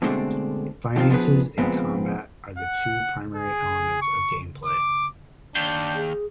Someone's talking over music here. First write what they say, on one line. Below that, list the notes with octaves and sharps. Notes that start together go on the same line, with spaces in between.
Finances and combat are the two primary elements of gameplay.
B2 D3 G#3 A3 C4 D4
B2 D#3 F3 C4 D4 F4
F3 B3 D4 G#4 B4
F2 A#2 C#3 G#3 B3 C4
F#5
G#4
C#6
D6
D#2 D4 G6
G#4